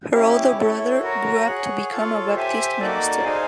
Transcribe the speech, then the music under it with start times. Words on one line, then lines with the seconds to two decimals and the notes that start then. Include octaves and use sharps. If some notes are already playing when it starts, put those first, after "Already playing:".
Her older brother grew up to become a Baptist minister.
0.13 C#4 E4 G4
0.57 E4 A4 C#5
1.01 F#4 A#4 C#5
1.46 G#4 C#5 F#5
1.91 F4 A4 C#5 F5
2.35 G4 C5 E5 G#5
2.80 A#3 D#4 F#4 A4 D5
3.24 D#4 G#4 C5 F5 G#5